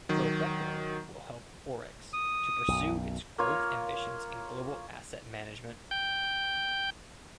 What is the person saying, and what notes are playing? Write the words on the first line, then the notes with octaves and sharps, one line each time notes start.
Robeco will help Orix to pursue its growth ambitions in global asset management.
D#3 F#3
D#6
B1 F#2
A#3 F4 C#5
G5 G6